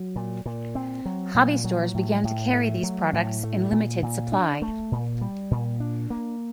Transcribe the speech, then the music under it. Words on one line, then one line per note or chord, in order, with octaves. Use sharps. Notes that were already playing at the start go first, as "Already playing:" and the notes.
Hobby stores began to carry these products in limited supply.
Already playing: F#3
A#2
A#2
C4
F#3
A#2
F#3
A2
A2
A3
F#3
A2
A3
A#2
A#2
D4
A3
A#2
G3
A#2
D4
A#3